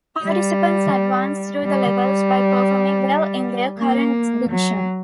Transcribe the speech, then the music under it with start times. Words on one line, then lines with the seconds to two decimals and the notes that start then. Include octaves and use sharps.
Participants advance through the levels by performing well in their current division.
0.23 G3
1.65 G3
3.79 A#3
4.50 F#3